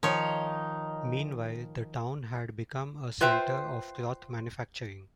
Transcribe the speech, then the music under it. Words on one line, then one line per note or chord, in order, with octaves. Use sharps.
Meanwhile, the town had become a centre of cloth manufacturing.
D#3 F3 D#4 C#5
F4 B4 C5 E5 G5